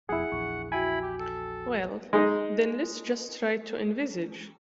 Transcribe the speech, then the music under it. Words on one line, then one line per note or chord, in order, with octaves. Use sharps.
Well, then, let's just try to envisage.
E1 F2 B2 E4 G#4 F#5
A#1 E2 C#6
E4 F#4 G5 G#5 B5 D7
G4
A4
G#3 D#4